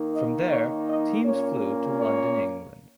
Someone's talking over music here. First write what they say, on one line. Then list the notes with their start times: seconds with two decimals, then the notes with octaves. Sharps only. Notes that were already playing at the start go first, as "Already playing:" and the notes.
From there, teams flew to London, England.
Already playing: D#3 A#3 D#4
0.13 D#5
0.50 C#5
0.87 D#5
1.24 A#2 A#3 C#4 C#5
1.99 C#5